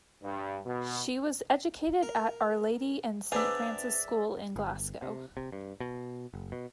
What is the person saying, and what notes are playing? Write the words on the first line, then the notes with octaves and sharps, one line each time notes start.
She was educated at Our Lady and Saint Francis School in Glasgow.
G2
B2
A#4
B3 D4 G#4 B4 C5 D5 E5 A#5
G1
C3
C3
G2
B2
F#1
B2